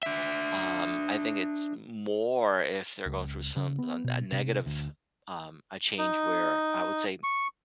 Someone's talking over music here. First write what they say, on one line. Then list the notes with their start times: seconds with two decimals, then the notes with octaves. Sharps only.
um, I think it's more if they're going through some a a negative, um, a change where I would say,
0.03 D4 E5
3.06 C#2
3.56 C#3
3.79 B3
4.04 B2
4.32 C3
4.66 D2
5.99 D#4
7.23 C#6